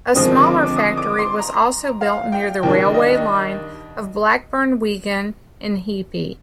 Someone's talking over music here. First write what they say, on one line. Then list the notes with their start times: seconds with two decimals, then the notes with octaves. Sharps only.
A smaller factory was also built near the railway line of Blackburn-Wigan in Heapey.
0.15 D#2 D3 F3 G#3 C4 D#6
0.46 D6
0.76 D#6
0.97 D6
1.19 C6
1.39 A#5
2.01 F5
2.32 G5
2.63 D#2 D#3 G3 D4 G5
2.94 D#5